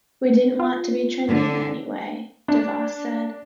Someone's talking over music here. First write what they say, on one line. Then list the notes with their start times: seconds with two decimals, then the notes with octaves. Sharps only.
"We didn't want to be trendy in any way", DeVos said.
0.59 F4
1.29 D3
2.48 D4